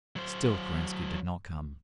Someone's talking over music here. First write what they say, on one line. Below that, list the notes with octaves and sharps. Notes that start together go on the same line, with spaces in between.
Still Kerensky did not come...
F#3 C5